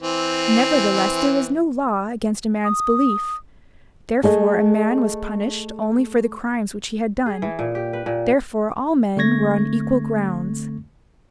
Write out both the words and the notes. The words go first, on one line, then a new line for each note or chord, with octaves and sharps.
Nevertheless, there was no law against a man's belief; therefore, a man was punished only for the crimes which he had done; therefore all men were on equal grounds.
E3 C4
D#6
A3 G#4 D#5
G#4
E3
A#2
G4
B4
A#2
D3 A3 C4 C#6 G#6 A#6